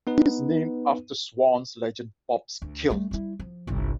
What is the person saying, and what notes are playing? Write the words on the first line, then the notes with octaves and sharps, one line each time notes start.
He is named after Swans legend Bob Skilton.
B3 D#4 B4
D2
G3 A3
G3 E4
F3
G1 C2